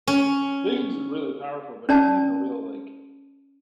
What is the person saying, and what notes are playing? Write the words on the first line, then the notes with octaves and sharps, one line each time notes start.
Vision's really powerful, but he's not even a real, like,
C#4
C#4 D5 A5